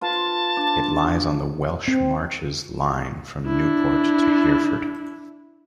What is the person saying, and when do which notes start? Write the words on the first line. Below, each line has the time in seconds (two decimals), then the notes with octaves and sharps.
It lies on the Welsh Marches Line from Newport to Hereford.
0.01 F4 B4 A5 C6
0.57 D4
1.88 C4
3.46 D4 E4